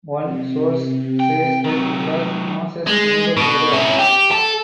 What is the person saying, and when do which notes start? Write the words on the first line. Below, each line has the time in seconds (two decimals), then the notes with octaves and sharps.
One source says that it was Moses younger brother.
0.20 C3
1.20 G5
1.65 D#3 F#3
2.87 G#3
3.37 B2
3.73 C#4 E4
3.99 G4
4.31 A4